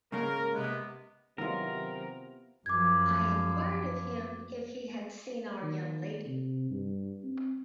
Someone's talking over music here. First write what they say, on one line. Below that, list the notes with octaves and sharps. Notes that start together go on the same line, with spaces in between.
I inquired of him if he had seen our young lady.
G#2 C#3 A#3 A#4
C3 G#3 B3
C3 D#3 F#3 B3 E4 F4 A#4
F#2 F3 D6 G#6
D#3
C3
G2
C4